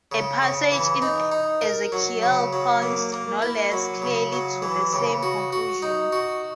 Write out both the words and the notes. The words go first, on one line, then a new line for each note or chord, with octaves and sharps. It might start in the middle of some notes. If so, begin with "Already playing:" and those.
A passage in Ezekiel points no less clearly to the same conclusion.
C#3
C#3
E3
D#4
D#4
A#4
F#3
C#3
F#3
A#3
A#3
E4
F#3
C#3
F#3
E3
C#3
F#4
F#4
D#4
F#4